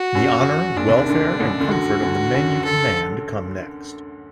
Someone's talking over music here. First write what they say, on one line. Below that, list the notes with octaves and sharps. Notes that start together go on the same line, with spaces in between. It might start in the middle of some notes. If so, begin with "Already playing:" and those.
The honour, welfare and comfort of the men you command come next.
Already playing: F#4
F#2
A#1 A#2 D4
C2 C3
D#2 D#3
D2 D3
A1 A2
F#2
D2 D3
F#4
D2 D3
F#2
A4